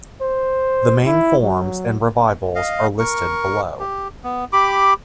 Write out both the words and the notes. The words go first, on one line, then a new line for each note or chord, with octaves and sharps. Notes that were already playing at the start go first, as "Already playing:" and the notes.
The main forms and revivals are listed below.
C5
E4
F#3
D#5 F5
A#4 C#6
G4
B3
G4 B5 D6